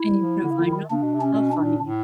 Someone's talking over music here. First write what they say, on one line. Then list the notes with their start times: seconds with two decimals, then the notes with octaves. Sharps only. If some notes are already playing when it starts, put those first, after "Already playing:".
And you couldn't find ‘em? How funny.
Already playing: E4
0.20 F3
0.43 D3
0.51 C#3
0.59 D3
0.67 D#3
0.90 C#3 D4
1.02 B2
1.14 C3
1.22 C#4
1.34 A#2
1.37 B2
1.52 D4
1.61 A#2
1.84 A2